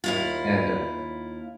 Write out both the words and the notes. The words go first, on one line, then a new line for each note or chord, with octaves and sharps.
and, uh
D#2 E4 F4